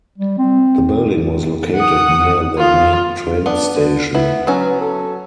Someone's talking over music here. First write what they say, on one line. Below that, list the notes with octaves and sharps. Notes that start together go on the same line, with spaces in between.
The building was located near the main train station.
G3
C4
F#5 D#6
F4
B3 D4
D3
B3 E4
F#3 B3 C#4
A4